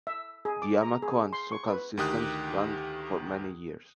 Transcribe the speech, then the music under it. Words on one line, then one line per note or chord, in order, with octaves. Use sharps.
The Amoco and Socal systems ran for many years.
E5
G#4
D6
A#5
G#4
C6
C#6
B4
D2 D#3 G4 D#6 F#6